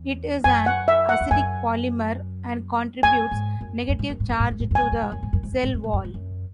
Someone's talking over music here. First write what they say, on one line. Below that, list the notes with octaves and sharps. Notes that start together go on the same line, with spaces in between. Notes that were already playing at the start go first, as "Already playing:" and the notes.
It is an acidic polymer and contributes negative charge to the cell wall.
Already playing: E2
F#2 G#5
F#5
E5
F#5
E2
F#2 G#5
F#2 G#5
G#2
F#2
F#2
G#2
F#2
G#2
F#2
G#2
F#2
G#2
F#2 G#5
G#2
F#2
G#2
F#2
G#2
F#2
G#2
F#2
G#2
F#2
G#2
F#2
G#2
F#2